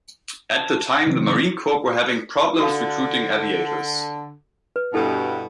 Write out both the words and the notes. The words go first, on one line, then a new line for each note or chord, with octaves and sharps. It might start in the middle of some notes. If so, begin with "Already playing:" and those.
At the time, the Marine Corps were having problems recruiting aviators.
A5
C#3 E3 F#3 C4
D3 F#4 A4 F5
B4
G2 B2 E4 A4